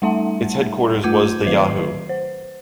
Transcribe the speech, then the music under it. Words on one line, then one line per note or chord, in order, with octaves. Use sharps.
Its headquarters was the Yahoo!
G3 A3 D#4 E5 F#5 A5
A3 F4 D6 G6 G#6 D#7
D#3 F#3 B4 C7
C5